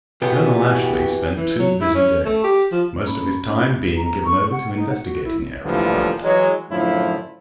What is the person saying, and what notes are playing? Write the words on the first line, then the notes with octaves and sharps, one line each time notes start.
Colonel Ashley spent two busy days, most of his time being given over to investigating Aaron Grafton.
B2 E3 B3 F#4 G4 G5 G#5
E3
F#3
E4
C#4
A3
G4
F3
A#3 C#4 B5
A#5
C#6
F#5
D#4
F#5
F#4
E4
A2 D3 E3 F3 G3 A#3
E3 F#3 G#3
F#2 A2 D3 F3 E4 F4